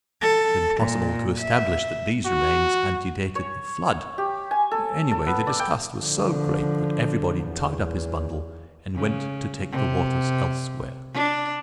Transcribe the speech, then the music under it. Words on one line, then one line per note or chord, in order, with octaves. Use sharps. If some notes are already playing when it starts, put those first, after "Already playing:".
It was impossible to establish that these remains antedated the Flood. Anyway, the disgust was so great that everybody tied up his bundle and went to take the waters elsewhere.
A4
A#2
E5
F#4
C#5
G4
G#5
A4
A4
B3
D5
G5
D3 F3
E2
C#3
C3
D4